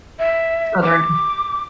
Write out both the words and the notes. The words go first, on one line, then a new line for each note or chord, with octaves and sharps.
Southern C
E5
D6